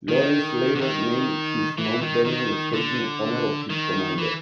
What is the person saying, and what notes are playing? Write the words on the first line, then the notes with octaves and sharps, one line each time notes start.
Lawrence later named his Mount Vernon estate in honor of his commander.
D#3
D3
D#3
E3
D#3
D#3
D3
D#3
E3